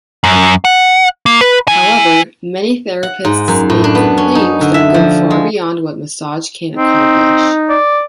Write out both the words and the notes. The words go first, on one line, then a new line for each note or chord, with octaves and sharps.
However, many therapists make claims that go far beyond what massage can accomplish.
F#2
F#5
A#3
B4
E4 G#5
F#5
G#2
F#2
A2
D4
B3
C#4
D#4
D3
E5
F3
G#3
C4 D#4
D5